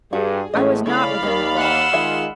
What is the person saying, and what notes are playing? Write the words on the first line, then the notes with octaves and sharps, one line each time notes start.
I was not within the vault.
G2 F#4 G#4
A1 A2 G#3 C#4 G#4 D#5
C#3 A3 E4 D5 F5 B5
D#2 D#3 F3
F#5 C6 E6
D#3 G#3 F4 G#4 E5